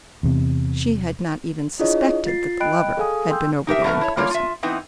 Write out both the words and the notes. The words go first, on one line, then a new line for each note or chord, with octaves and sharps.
She had not even suspected that the lover had been over there in person.
E2 C3
D4 E4 F4 G#4 C#5 D#5
F4 A6 C7
D#5 G5 B5 F#6 D7
G#4 A4 F5 G#5 D#6
G5 C6 E6 G6
D#4 G4 A#4 E5
B2 F#3 A3 F4 A#4 B4
E4 C#5
G3 A3 A#3 F4 C#5 D5
F4 E5
E3 B3 C4 D#4 E4